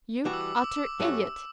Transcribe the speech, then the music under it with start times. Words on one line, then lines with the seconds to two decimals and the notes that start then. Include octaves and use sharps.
You utter idiot!
0.25 E3 G3 D4 F#4 D6
0.33 E6
0.41 D6
0.48 E6
0.57 D6
0.64 E6
0.71 D6
1.00 G2 F#3 A3 C#4 F#4 E6